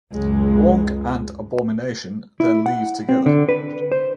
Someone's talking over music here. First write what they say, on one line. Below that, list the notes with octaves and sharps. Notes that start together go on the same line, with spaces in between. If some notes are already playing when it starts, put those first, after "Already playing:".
Wong and Abomination then leave together.
C#2 F#2 G#3
E4
F#5
C4
D3
B4
C5